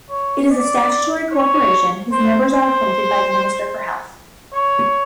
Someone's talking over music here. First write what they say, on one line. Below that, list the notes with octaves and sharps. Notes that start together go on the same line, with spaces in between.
It is a statutory corporation whose members are appointed by the Minister for Health.
C#5
D5
C#5
C5
C5
C#5